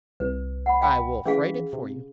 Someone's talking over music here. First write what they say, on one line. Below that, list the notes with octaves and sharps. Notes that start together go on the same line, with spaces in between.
"I will freight it for you."
C2 B4
F#5 B5
F5 G5 B5
E3 C#4 G#4 F5
C3